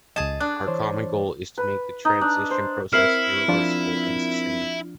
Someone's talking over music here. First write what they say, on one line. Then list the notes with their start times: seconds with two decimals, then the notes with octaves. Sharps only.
Our common goal is to make the transition process irreversible and sustainable.
0.16 C#2 G#4 D#5 A5
0.40 D4 F#6
0.67 E3 C5 C#5
1.58 B4
2.05 D#4
2.21 D4
2.51 C5
2.93 C4 E4 A#4 E5 F6 C7 F#7
3.48 F3 D4 F4